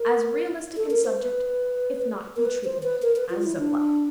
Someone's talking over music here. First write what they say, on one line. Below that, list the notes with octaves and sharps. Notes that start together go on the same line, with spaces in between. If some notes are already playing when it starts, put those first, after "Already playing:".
"As realistic in subject, if not in treatment, as Zola."
Already playing: A#4
A4
A#4
C5
B4
A#4
B4
C5
B4
A#4
B4
F4
E4
D4